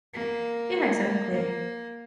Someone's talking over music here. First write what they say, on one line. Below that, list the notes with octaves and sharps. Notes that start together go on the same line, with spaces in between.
Yeah, exactly.
A#3
A#3